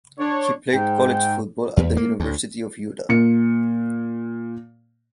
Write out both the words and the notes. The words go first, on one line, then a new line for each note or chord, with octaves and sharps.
He played college football at the University of Utah.
D4 C#5
G#2 G5
E2
A#3
D2
A#2 C#7